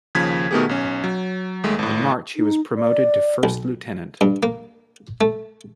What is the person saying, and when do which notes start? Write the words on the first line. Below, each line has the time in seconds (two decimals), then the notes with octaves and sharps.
In March he was promoted to first lieutenant.
0.15 D#2 C#3 F3 G#6 B6
0.51 B2 D#3 A3 B3 G4 G#4
0.69 B1 C#4
1.04 F#3
1.64 D#2 G#3 A3
1.79 G#1 A2
2.36 D#4
2.76 D5
3.43 B1
4.21 G2
4.43 A#3
5.21 A3